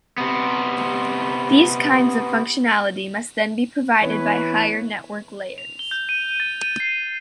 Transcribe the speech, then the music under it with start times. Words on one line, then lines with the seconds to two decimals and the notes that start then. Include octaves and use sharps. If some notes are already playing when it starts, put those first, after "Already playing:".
These kinds of functionality must then be provided by higher network layers.
0.18 C3 B3
4.02 E3 B3 B4 C#5
5.58 F7
5.79 G7
5.91 G6
6.09 D#7
6.40 A6
6.62 D#7
6.80 C7